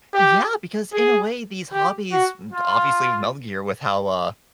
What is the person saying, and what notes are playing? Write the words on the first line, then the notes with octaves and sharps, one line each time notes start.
Yeah, because in a way, these hobbies m obviously with Metal Gear, with how, uh,
G4
G#4
G4
F#4
F4